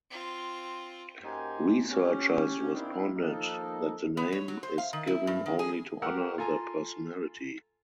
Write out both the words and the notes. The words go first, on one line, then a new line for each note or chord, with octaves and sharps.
Researchers responded that the name is given only to honor the personality.
C4 F4
F#2 A#3 D#4 G4 C5 G#5
C#4 G4
D#3 A#3 C4 D4 E4
D#3 F3 A#3 D#4 A4
B3
C#5
F#3
C5
F5
D#3
E4
G2
D#3
G#4
G4 A#4 F#5 E6
F4 A4 G#5 A#5